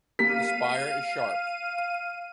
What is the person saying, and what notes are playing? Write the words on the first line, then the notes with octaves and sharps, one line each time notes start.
The spire is sharp.
A#3 G4 A#4 F5 B6 D#7